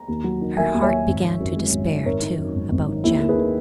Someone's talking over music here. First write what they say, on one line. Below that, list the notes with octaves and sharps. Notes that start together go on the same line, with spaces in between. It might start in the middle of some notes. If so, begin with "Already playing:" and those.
Her heart began to despair, too, about Jem.
Already playing: A#5
D#2
F#3
D#3
A#3 E5 G#5
D#2
C#5 E5
F#3
G#1
D#3
F#2
G#3
G#1
D#3
G#1 A#4 C#5
D#3
F#2
G#1
G#1
D#3
D#2 E4
A#3
G#4 B4
D#3